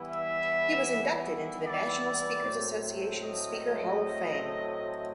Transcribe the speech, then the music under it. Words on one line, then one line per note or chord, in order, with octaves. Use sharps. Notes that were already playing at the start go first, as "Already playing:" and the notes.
He was inducted into the National Speakers Association Speaker Hall of Fame.
Already playing: E3 G3 B3 E4
E5
D5
A2 F#3 A3 C4
D#5